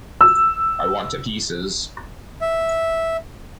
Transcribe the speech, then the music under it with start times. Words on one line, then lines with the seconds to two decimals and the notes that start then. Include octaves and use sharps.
I want to pieces.
0.21 E6
2.41 E5